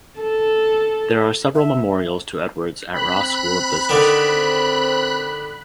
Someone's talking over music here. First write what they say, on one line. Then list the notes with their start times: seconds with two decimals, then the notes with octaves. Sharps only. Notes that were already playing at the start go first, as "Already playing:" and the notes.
There are several memorials to Edwards at Ross School of Business.
0.19 A4
1.55 E5
2.93 C4 B5 F#6
3.89 D3 D#3
4.24 C4